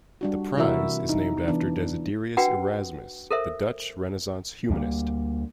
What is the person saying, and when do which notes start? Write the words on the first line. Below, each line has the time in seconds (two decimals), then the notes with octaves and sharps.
The prize is named after Desiderius Erasmus, the Dutch Renaissance humanist.
0.21 G3 D4 F#4
0.57 C3 E3 E4 F#4 A#4 E5
1.09 D#4
1.48 E3 B3 D4
2.37 D4 F#4 B4 F#5 G5
3.31 A4 A#4 C5 E5
4.70 D2 G3 A3 A#3